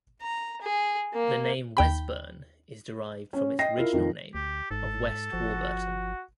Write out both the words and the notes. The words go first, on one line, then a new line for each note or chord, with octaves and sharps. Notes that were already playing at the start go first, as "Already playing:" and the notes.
The name Wesburn is derived from its original name of West Warburton.
A#5
G#4
A#3
D#2 G5 B5
C#4 C#5
D#5 G5 A#6 C7
E4 F4 A#4
F2 D#3 F3
D2 G4
G1 G#2 A4
G1 F3 F#4